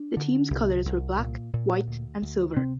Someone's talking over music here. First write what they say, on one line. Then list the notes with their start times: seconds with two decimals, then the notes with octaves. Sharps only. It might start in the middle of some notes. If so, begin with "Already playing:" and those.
The team's colours were black, white and silver.
Already playing: D4
0.17 D3
0.50 C2
0.85 C2
1.19 A#2
1.53 A#2
1.88 D2
2.22 D2
2.56 C3 C4